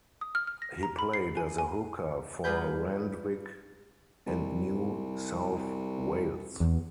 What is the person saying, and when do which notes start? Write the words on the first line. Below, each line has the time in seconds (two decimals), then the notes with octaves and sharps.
He played as a hooker for Randwick and New South Wales.
0.21 D#6
0.35 F6
0.47 F6
0.62 A#6
0.83 A#5
0.99 B5
1.14 C7
1.37 G#5
1.58 G#5
2.44 G2 F4 G#4 B4 G6
4.26 C2
6.60 E2